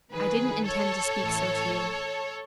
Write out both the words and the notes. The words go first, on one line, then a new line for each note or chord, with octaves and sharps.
'I didn't intend to speak so to you.
F#2 D#3 G#4 B4
A4 C#5
A2 E3